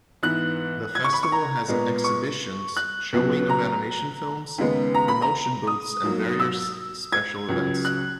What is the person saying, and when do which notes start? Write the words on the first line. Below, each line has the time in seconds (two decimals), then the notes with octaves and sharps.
The festival has exhibitions, showing of animation films, promotion booths and various special events.
0.23 G#2 E3 B3 F#6
0.95 G#6
1.04 C#6
1.13 B5
1.23 C#6
1.32 A#5
1.68 A#2 G#3 B3
2.04 C#6
2.76 F#6
3.13 C#2 B2 F#3 B3
3.49 A#5
4.58 D#2 C#3 G#3 B3
4.94 A#5
5.08 B5
5.22 A#5
5.67 D#6
6.03 G#2 F#3 A#3
6.40 E6
7.12 G#6
7.49 C#2 C#3 F#3
7.85 F#6